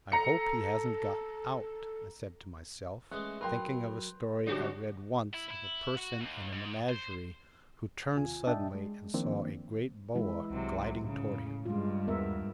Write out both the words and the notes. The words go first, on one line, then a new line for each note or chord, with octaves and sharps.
I hope he hasn't got out,' I said to myself, thinking of a story I read once of a person in a menagerie, who turned suddenly and saw a great boa gliding towards him.
A4 A#5 C#7
E3 G#3 A3 C#4 F#6
F#3 A#4 B4 G5 C6 F#6
G#2 D3 F#3 G3 C#4 D4 F#4 G4
E4
E4
F#4
D#2
G#2
C5
D#2 C3 F4 G#5
A#2 D4 D#5 E5 G5 A5
G#3
D#3 F3 A#3 C4 D4
E3 G#3 E4
C2 C3 F#3
A2 C#3
G2 G#3 F4
D#2 B3 A#4 E5